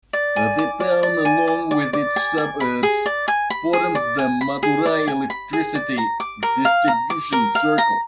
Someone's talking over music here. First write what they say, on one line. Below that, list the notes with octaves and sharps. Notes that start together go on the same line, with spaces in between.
The town along with its suburbs forms the Madurai Electricity Distribution Circle.
D5
G#5
D6
D5
D5
G#5
D6
D5
D5
G#5
G#5
B5
G#4
D5
G#5
B5
G#4
D5
G#5
B5
G#4
D5
G#5
B5
G#4
D5
A#5
D6
A#4
F5
A#5
D6
A#4
F5
A#5